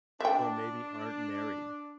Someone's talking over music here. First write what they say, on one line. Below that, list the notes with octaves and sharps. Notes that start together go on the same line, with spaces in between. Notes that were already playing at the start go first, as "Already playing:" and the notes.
or maybe aren't married.
D4 E5 G5